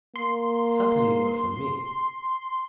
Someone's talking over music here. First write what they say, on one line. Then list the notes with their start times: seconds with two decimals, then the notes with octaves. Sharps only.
Certainly not from me.
0.16 A#3 C6